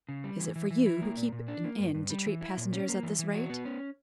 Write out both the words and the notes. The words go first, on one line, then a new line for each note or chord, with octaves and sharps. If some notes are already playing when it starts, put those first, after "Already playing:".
Is it for you, who keep an inn, to treat passengers at this rate?
C#3
G3
E3
E3
E3
E4
A#3
A#2
A#2
D4
A#3
G2
G2
G3
E3
E4
A#2
C#4
A#3
E3
E3
F#4
B3
C#4